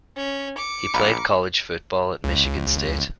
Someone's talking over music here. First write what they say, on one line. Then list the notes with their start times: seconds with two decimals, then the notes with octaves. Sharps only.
He played college football at Michigan State.
0.17 C#4
0.58 D6 C#7
0.94 A#1 F5 A#5 B5
2.24 C#2